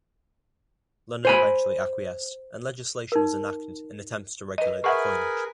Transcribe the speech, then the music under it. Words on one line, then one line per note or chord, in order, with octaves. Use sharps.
London eventually acquiesced and legislation was enacted in attempts to regulate the coinage.
C5 G#5 B5
D#4 A#4
B4 D#5
G#4 A#4 B4 E5 F#5 C#6